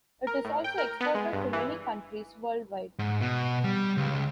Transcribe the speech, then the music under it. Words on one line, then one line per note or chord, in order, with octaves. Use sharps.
It is also exported to many countries worldwide.
A#4
A2
G5
A#4
B3
G#3
G2
E3
G#2
B2
G3
C#2